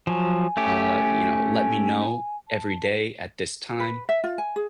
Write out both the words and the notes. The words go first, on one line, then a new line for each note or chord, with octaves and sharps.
uh, you know, let me know every day at this time
F3 F#3 G#5
A3 C#4 G4
A5
B4
E5
F4
G#5
G#4